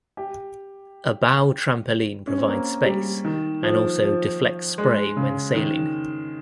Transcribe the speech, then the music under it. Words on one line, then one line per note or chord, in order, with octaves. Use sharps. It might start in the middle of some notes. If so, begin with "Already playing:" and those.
A bow trampoline provides space and also deflects spray when sailing.
G4
C#4
C4
A#3
G3
D#3
F3
F3
G#3
C#3
D#3